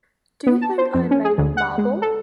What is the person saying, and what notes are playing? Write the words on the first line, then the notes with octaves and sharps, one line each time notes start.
Do you think I am made of marble?
B3
A5
C5
F2
C#4
G#4
D2
F#5
G#3
A4